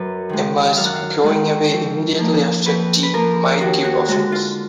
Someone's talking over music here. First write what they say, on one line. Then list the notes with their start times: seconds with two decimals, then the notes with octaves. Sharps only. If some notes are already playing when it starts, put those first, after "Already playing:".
Emma's going away immediately after tea might give offence.
Already playing: F#2 B4
0.29 D#3 G#3
0.76 F#2 F5
0.85 F#5
0.96 F5
1.24 D#3 G#3
1.71 F2
2.18 F3 A#3
2.66 F2 B4
3.03 B4
3.14 F3 A#3 A#4
3.61 D#2 F#4
3.85 F#4
4.08 D3 G#3 F#4
4.32 F4